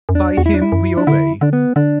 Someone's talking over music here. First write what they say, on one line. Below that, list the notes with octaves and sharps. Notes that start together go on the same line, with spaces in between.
"By him we obey."
F#2
E2 D4
E2 F#4
E4
D4
E4
F#2
D4
D3 E4
D3 D4
B3
D3 D4